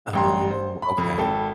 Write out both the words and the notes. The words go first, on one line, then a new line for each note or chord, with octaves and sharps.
Oh, okay.
A1 G2 G5 A#5 C6
C5
B5
F2
G#1 A4 G5